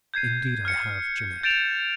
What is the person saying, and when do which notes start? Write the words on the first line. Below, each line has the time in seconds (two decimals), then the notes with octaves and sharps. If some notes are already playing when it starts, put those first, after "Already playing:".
"Indeed I have, Jeannette."
0.14 G6 G#6 C7 D#7
0.65 F6 C#7
1.43 G6 A6 D7 E7 F7